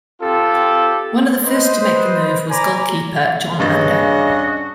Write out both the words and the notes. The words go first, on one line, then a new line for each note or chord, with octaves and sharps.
One of the first to make the move was goalkeeper Jon Ander.
C4 F4 G4 A4
B4 C5 D#5
C5 D5 G#5 A#5 B5 D6
G2 C#3 D4 F#4 D#5 A6